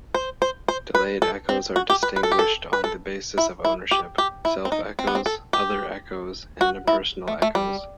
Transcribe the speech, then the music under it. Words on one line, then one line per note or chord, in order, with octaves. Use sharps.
Delayed echos are distinguished on the basis of ownership: self-echos, other-echos, and impersonal echos.
C5
C5
C5
B4
A4
C4
F#4
G4
B4
B4
A4
G4
A4
B4
A4
E4
E4
G4
G4
E4
C4
D#4
C4
B3
C4
A4
G4
F#4
E4
A3
A3
G3